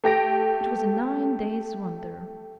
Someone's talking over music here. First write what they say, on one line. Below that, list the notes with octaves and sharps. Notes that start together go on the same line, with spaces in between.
It was a nine days' wonder.
A3 G4 A#6 D7